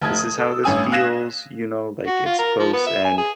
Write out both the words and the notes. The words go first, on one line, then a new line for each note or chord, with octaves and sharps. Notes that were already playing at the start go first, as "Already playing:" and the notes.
this is how this feels," you know, like, it's close, and,
F1 A5 D#6 G#6
D#6
A4 E6
A1 G2 C#4 G#5 D#6 E6
F5 F#6 G#6 A#6 B6 E7
F#4
F4
A#4
F3
B3
E5
G#5
G#4